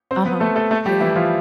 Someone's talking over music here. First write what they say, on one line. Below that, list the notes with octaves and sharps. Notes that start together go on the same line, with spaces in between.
Uh-huh, yeah.
C4 C5
B3 B4
A3 A4
A3 A4
A3 A4
G3 G4
E3 E4
F3 F4